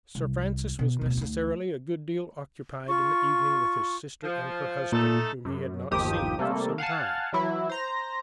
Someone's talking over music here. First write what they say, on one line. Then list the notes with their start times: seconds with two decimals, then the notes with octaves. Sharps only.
Sir Francis was necessarily a good deal occupied in the evening with his sister and her husband, whom he had not seen for some time.
0.15 C2
0.79 B2
1.01 D1 B2
1.17 D2 D#4
2.88 F4 C#6
4.23 F3
4.92 A#2 A3 D#4 A4
5.45 F#2
5.91 G1 D#2 D#3 F3 G4 D#6
6.39 C3 G3 A3 A#3 A4
6.78 F5 F#5 G#5 A5
7.33 E3 F#3 E4
7.69 C5 A#5 A#6